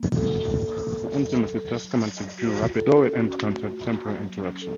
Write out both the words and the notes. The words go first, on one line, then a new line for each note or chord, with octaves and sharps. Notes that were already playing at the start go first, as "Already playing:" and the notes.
The intimacy thus commenced grew rapidly; though it encountered temporary interruptions.
Already playing: A#3
F#4 A4
A#3
A#3
F#4
F#3
F#3
F#3
F#3
F#3
F4 F#4
F4
A4
C#4 A#4
A4
C#4 F#4
A3
F4
A#3
F#3
C#4
F#3 A4